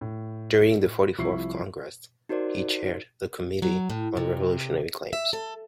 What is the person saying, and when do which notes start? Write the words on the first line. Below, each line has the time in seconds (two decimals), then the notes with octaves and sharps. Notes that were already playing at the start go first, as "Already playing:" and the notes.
During the Forty-fourth Congress, he chaired the Committee on Revolutionary Claims.
0.01 A2
1.18 C2 F3 E4 C#6 C7
2.29 D#4 F#4 A#4 C5 D5
3.62 F#3
3.90 A2
4.17 C3
5.13 E5
5.33 A4